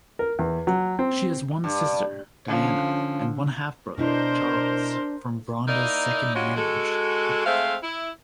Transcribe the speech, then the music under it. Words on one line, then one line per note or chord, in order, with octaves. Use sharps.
She has one sister, Diana; and one half-brother, Charles, from Bronda's second marriage.
A#4
E2
F#3
C4
G2
D3 F3 C#4
B2 D4 E4 A#4 C5 D#5
A#3 D#4 E4 A#4 D5 D#5
G3 G#3 C#4 D4 F4 F#4
G#3 F#4 A4
G#3 A3 C4 C5 E5 F5
E4